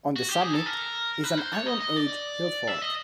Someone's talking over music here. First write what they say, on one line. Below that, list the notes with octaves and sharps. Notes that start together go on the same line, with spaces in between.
On the summit is an Iron Age hillfort.
F#4
G4
G#4
A4
A#4
B4
C5
C#5
D#5
D#5
D5
E5
D#5